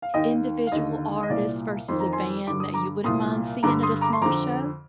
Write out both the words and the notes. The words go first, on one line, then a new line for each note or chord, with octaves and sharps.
individual artist versus a band that you wouldn't mind seeing at a small show?
F5
D#2 D#3 D#5 G5
F5
D#2 D3 D#5
D#5
C2 A#2 D5 F5
F2 D#3 C6
A#5
G#5 C6
G2 D3 D6
D#6
A#5 D6
C2 A#2 C6 D#6
G2 D3 A#5 D6
C6 D#6
A#5 D6
C6
F2 D3 A#5 D6